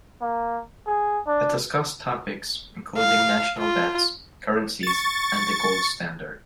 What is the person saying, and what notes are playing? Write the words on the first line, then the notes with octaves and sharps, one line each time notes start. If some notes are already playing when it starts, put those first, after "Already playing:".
It discussed topics including national debts, currencies, and the gold standard.
A#3
G#4
D4
F5
F4
C#6 A6